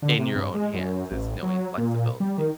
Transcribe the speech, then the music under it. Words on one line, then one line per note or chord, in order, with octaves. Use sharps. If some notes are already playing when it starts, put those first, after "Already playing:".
in your own hands is knowing flexibility.
D3
C3
G2
G#3
F#2
A1
F#3
A#2
G3
D#3